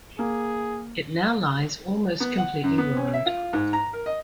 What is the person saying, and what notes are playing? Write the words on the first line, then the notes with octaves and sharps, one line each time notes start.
It now lies almost completely ruined.
A#3 G#4
B3
F#5
F#2
B3
C#4
E5
F4
G#2
A#5
A#4
D#5